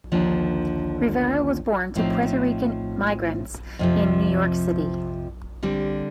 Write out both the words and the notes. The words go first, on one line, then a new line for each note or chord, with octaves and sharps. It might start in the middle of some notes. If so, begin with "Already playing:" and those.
Rivera was born to Puerto Rican migrants in New York City.
D#2 D3 F3 A#3 D4
A2 F3 C4 D#4
F2 C3 F3
D3 G3 C4